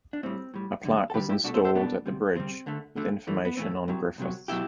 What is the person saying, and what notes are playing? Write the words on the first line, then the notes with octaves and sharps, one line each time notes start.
A plaque was installed at the bridge with information on Griffiths.
D4
A2 G3 C4
A2 G3
F#2 D3 G3
A4
F#2 D3 G3 G4 B4
E4 G4
C2 B2 A3 D4 F#4
A4 C5
A4 C5
C2 B2 A3 B3 D4
D2 C3 G3
D2 C3 G3 C4
D2 D3 A3
D2 D3 A3
A2 E3 A3
B3
A2 E3 A3 C4
C2 C3 F#3
C2 C3 F#3
B2 F#3 E4 G4